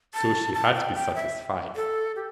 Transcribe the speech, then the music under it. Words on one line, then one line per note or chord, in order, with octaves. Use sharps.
So she had to be satisfied.
A5
A5
G5
G5
E5
A4
G4